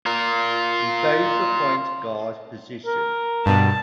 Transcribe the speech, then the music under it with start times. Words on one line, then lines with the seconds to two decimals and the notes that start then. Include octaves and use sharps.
He plays the point guard position.
0.06 F4 A#4
2.86 A#4
3.46 G2 B2 A5